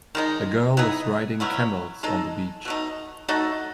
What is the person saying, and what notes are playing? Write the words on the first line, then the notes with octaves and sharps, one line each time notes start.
A girl is riding camels on the beach.
D#3 G#3 D#4
E3 B3 D#4 G#4
B2 F#3 C#4 E4
G#3 D#4 A4
B2 A3 D#4
A3 D#4 F#4 A4